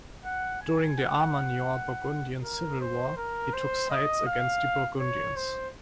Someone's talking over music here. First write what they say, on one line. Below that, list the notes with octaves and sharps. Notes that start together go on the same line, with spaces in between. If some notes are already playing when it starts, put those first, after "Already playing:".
During the Armagnac-Burgundian Civil War he took sides against the Burgundians.
F#5
G#5
F#5
A#4
C5
A#4
C5
D#5
F5
C#5
C5